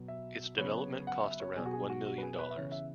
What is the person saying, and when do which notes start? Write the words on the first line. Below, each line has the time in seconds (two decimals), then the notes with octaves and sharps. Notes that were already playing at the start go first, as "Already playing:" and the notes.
Its development cost around one million dollars.
Already playing: B2 F#3 B3
0.08 E5
0.58 C#3 F#3 B3 C#5
1.07 F#5
1.24 E5
1.40 C#5
1.56 B2 F#3 B3 G#4
1.66 F#4
1.73 G#4
1.90 F#4
2.06 F#4
2.18 B4
2.22 G#4
2.39 B4
2.51 E5
2.55 C#3 E3 B3 C#5
2.72 E5